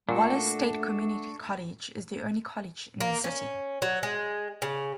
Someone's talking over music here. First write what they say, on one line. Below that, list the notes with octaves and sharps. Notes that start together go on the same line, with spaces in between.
Wallace State Community College is the only college in the city.
A#2 A3 D4 F#4 A4
A#3
C#4
F#3
G#3
C#3